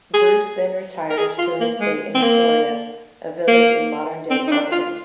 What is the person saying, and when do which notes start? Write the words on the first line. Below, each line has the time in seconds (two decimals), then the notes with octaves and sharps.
Bruce then retires to an estate in Astoria, a village in modern-day Oregon.
0.14 G#4
1.10 A#4
1.18 G#4
1.38 F4
1.60 A#3
1.80 G#3
2.15 C4
2.22 A#3
3.47 A#3
4.30 C4
4.47 D#4
4.51 D4
4.71 F4